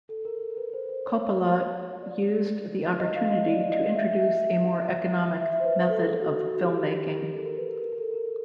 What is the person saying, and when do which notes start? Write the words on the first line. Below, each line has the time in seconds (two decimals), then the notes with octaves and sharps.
Coppola used the opportunity to introduce a more economic method of filmmaking.
0.09 A4
0.25 A#4
0.57 B4
0.73 C5
0.89 C5
1.05 C#5
2.02 D5
2.99 D#5
3.15 F5
3.31 D#5
3.47 D5
3.71 D#5
3.96 E5
4.20 E5
5.40 E5
5.53 E5
5.60 C5
5.65 B4
5.89 A4
6.05 G#4
6.21 F#4
6.37 F#4
6.55 F#4
6.61 G4
6.86 G4
7.09 A#4
7.34 A4
7.46 A#4
7.57 B4
7.70 A#4
7.82 A#4
7.98 A4
8.14 A#4